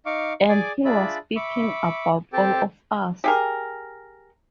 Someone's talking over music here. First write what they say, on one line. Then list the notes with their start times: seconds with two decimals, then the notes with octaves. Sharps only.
And he was speaking about all of us.
0.06 D#4 F5 C#6 D6
0.49 G#4 D5 G#5 D6
0.85 D4 F4 G#4 D5 E5 B5
1.36 E5 B5 C#6 D6
2.33 C4 G4 A4 G5 A5
3.24 G4 G#4 A#4